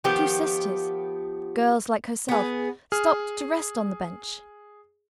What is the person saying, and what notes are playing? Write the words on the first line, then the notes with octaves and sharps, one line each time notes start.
Two sisters, girls like herself, stopped to rest on the bench.
D#3 F3 B3 G4
B3 G#4
G#4 F6